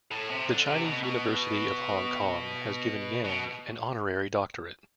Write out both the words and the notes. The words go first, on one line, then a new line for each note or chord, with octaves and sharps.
The Chinese University of Hong Kong has given Yang an honorary doctorate.
A2
C3
D3
C3
B2
B2
B2